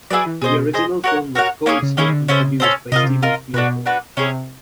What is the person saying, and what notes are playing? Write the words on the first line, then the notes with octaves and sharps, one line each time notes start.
The original film was co-written and produced by Steven Spielberg.
F#3 E4 G#4 B4 D5
E3
B2 G#4 C5 D#5
G#4 C5 D#5
F#4 A#4 C#5 F#5
F#4 A#4 C#5 F#5
A#3 C#4 E4 G#4
C#3
D#3 A#3 C#4 E4 G#4
D#3
D3
C#3 C#4 E4 A4 C5
C#4 E4 A4 C5
C3 F4 A#4 D#5
C#3
C3
F4 A#4 D#5
B2 D4 F#4 B4
D4 F#4 B4
C3 C#4 E4 G#4 C#5